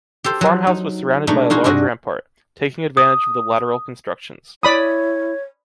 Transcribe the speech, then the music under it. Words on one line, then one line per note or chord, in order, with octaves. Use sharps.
The farmhouse was surrounded by a large rampart, taking advantage of the lateral constructions.
G4 A4 C5
F3 F#3
D#4
B2 G#3 A3 D4 D#4
D#4 F4 F#4 G#4
G2 C3 D4 F#4 D#5
D#6
E4 C#5 D5 B5 D#6